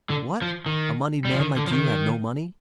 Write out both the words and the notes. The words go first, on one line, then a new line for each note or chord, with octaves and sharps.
"What! a moneyed man like you have no money?"
D3
F3
D#3
G3
F3
D#3
D3
F3
D#3